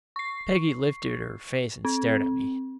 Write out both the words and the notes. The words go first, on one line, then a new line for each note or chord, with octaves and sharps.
Peggy lifted her face and stared at me.
C#6 C7
C4